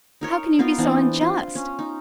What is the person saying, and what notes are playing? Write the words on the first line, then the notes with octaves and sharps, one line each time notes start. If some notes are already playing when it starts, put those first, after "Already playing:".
How can you be so unjust?
D#4 A#4 C#5
B3 D#4 F4 A#4
E3 B3 C4 D4
F4
C#4
D#4